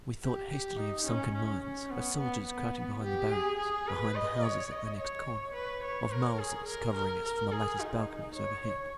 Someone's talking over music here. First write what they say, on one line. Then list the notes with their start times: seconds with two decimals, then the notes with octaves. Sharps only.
We thought hastily of sunken mines, of soldiers crouching behind the barriers, behind the houses at the next corner, of Mausers covering us from the latticed balconies overhead.
0.23 G4
0.51 G4
0.79 D#4
1.06 C#4
1.35 C#4
1.63 C#4
1.90 B3
2.19 B3
2.47 B3
3.03 G4
3.31 G#4
3.59 G#4
3.87 B4
4.15 D#5
4.43 C#5
4.71 D#5
4.99 C#5
5.54 B4
5.83 C#5
6.12 A#4
6.38 G#4
6.68 A#4
6.95 A#4
7.23 A#4
7.52 G#4
7.80 D#4
8.35 C#5
8.63 C#5